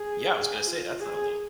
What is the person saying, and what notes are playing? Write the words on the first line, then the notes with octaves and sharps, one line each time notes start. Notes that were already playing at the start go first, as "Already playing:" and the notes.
Yeah, I was gonna say that's not a little thing.
Already playing: G#4
F4
G#4